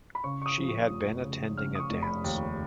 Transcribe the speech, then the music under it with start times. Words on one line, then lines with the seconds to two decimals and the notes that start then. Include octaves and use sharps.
She had been attending a dance.
0.15 B5
0.24 C#3 C#6
0.42 C#6
0.46 D#6
0.58 F3
0.69 C#6
0.90 F1
1.24 C#3
1.57 C#3 F6
1.75 D#6
1.80 C#6
1.90 F1
2.02 B5
2.24 D#2